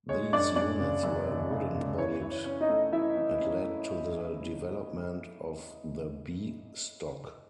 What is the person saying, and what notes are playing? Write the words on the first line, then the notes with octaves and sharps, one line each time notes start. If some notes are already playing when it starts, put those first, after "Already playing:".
These units were wooden-bodied and led to the development of the B Stock.
G#3 C#5
F#2 D4 D5
F#2 D4 D5
C#3
F#2
C#3
C#3
C#3
E3 C#5
E4
C#5
C#4
D#4 D#5
A3
E3 E4 E5
E3
C#4
A3